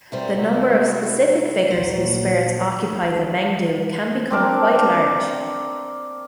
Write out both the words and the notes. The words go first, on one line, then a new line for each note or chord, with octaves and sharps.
The number of specific figures whose spirits occupy the "mengdu" can become quite large.
C3 G3 E4 F#4 A#4 C5
A#1 D#2 F#3 C5
C4 D4 A#4 A5